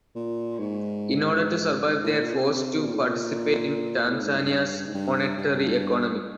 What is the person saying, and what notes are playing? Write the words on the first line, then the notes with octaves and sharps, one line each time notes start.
In order to survive they are forced to participate in Tanzania's monetary economy.
A#2
G#2
G2
G#2
A2
A#2
C3
B2
A#2
A2
A#2
A2
G#2
G2
G#2
G2
G2